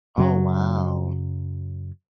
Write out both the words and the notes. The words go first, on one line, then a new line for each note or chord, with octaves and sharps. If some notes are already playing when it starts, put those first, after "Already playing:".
Oh, wow.
F#2 C#3 F#3